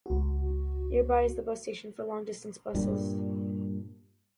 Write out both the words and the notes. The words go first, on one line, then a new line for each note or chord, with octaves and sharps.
Nearby is the bus station for long-distance buses.
C#2 F#4
G2 A#2 G3